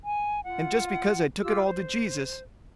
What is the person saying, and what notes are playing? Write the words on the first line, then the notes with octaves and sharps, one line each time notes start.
And just because I took it all to Jesus.
G#5
F4 F#5
F4 G4 E6
C5